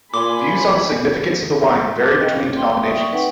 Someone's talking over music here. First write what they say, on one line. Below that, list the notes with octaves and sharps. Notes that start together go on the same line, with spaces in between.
Views on the significance of the wine vary between denominations.
A#2 G#5 B5 C6 D6
C#5
C4 D6
D#5 F5 G5
C#5
F5 G5 C6
D5 E5 G5 C#6 D#6
C4 D#4 B4 F#5 G5